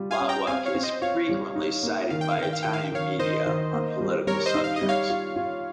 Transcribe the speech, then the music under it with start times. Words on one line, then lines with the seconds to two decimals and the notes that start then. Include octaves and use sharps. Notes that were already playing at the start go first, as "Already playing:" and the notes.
Luttwak is frequently cited by Italian media on political subjects.
Already playing: G3 F4
0.11 F5 G#5
0.20 C#4
0.29 G5 A#5
0.47 C4 F5 G#5
0.66 C#5 F5
0.75 C4
0.83 C5 D#5
1.02 F4 C#5 F5
1.29 G3
1.56 D#4
1.83 A#3
2.10 D#3 F5
2.21 G5
2.31 F5
2.38 D#3 G5
2.53 F5
2.63 D#3 G5
2.73 F5
2.85 G5
2.92 D#3 C#5 F5
3.19 D#3 C5 D#5
3.47 D#3
3.73 A#3
4.00 G3
4.27 G3 A#4 C#5
4.46 C5 D#5
4.55 D#4
4.64 F5
4.76 D#5
4.82 G3
4.89 C#5 F5
5.10 F4
5.36 F4